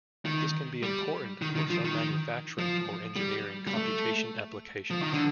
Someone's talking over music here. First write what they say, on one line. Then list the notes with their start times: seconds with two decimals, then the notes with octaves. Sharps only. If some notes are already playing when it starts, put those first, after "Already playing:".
This can be important for some manufacturing or engineering computation applications.
0.25 D#3
0.83 G3
1.42 D#3
1.56 D#3
1.70 F3
1.85 D#3
2.58 F3
3.16 G3
3.67 G3
3.75 A3
4.90 F3
5.02 D#3
5.13 D3